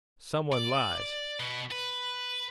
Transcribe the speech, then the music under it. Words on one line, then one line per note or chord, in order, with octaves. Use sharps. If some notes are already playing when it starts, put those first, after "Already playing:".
Someone lies.
D5
B2 B3
B4